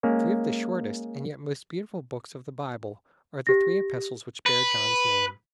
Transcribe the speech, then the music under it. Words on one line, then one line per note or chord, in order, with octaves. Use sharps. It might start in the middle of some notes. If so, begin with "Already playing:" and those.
Three of the shortest and yet most beautiful Books of the Bible are the three epistles which bear John's name.
G#3 A#3 C#4
G4 A#6
B4